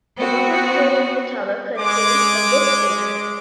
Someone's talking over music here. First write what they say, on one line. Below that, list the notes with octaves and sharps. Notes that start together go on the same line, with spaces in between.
The bottom stage of the tower contains a west entrance.
B3 C4 F#4
G#3 D6